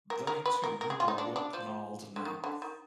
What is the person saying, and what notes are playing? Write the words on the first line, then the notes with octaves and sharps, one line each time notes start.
They, too, were work-gnarled now.
A#4
A#4
B4
A#4
A#4
G#4
F4
D#4
D4
D4
F3
D3
D#3
D3
D#3